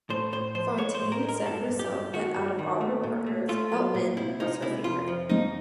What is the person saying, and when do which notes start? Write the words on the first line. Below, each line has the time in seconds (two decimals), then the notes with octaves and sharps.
Fonteyn said herself that out of all her partners, Helpmann was her favourite.
0.10 A2 C5
0.32 A2 C5
0.55 F3 C5
0.78 G#3 C#5
0.95 C5
1.00 A2
1.12 A#4
1.23 G#3
1.29 A#4
1.46 G2 A4
1.68 G2
1.79 G4
1.90 G2
2.13 D#3 F#4
2.36 G2
2.59 D#3
2.81 A3
3.04 A#2
3.26 A3
3.49 A3 F4
3.72 F#3
3.94 A#2
4.17 C3 E4
4.40 G#3 D#4
4.62 C3 E4
4.84 F2 F4
5.08 F3
5.29 F2 D#4